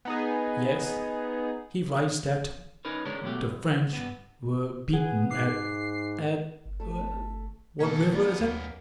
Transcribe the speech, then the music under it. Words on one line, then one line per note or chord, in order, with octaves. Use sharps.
"Yes, he writes that the French were beaten at... at... what river is it?"
B3 D#4 G#4
C#4 D#4 A#4 B4
D3 G#3 C#4 D4 A#4
B2 F#3 A3 G4
C2
G2 B3
G#4 B4 F#5
G#2 D6 F#6 C7
G1
A3 A4
B2 A3 A#3 C#4 A4
F#2 G#3 A#3 B3 D4
D#2 A#3